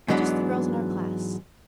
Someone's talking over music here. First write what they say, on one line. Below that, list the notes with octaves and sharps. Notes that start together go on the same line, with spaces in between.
"Just the girls in our class."
G#2 E3 F#3 G#3 B3 D4